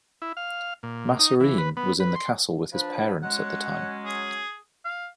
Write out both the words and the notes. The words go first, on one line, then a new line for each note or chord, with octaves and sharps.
Massereene was in the castle with his parents at the time.
E4
F5
A#2
D#4
E3
B4
B3
B4
C6
F3 D4 B4
F#3 G#3 C#4 F#5
G#4
F5